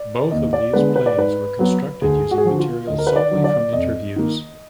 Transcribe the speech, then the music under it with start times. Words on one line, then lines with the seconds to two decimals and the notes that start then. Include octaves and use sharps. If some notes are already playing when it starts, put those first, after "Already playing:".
Both of these plays were constructed using material solely from interviews.
Already playing: D5
0.31 D#2 D#5
0.53 D5
0.73 D3 G#3 B3 B4
0.96 B4
1.06 D5
1.17 G#2 B4
1.59 F#3 B3
2.01 D2 G#4
2.31 F#4
2.38 G#4
2.45 D3 F3 F#4
2.59 F4
2.87 D2 D#5
2.98 A#4
3.07 B4
3.16 D5
3.31 D3 F#3
3.44 D5
3.73 F2 D#5
4.16 D#3 A#3